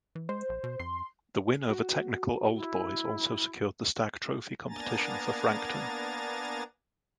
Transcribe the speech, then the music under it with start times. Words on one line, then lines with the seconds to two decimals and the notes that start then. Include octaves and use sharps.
The win over Technical Old Boys also secured the Stag Trophy competition for Frankton.
0.15 E3
0.29 G#3 C5
0.49 A#1
0.64 B2
0.79 F2 C6
1.69 F#4
2.55 E4
4.69 A#3 B3 D4 G#5 A#5 A6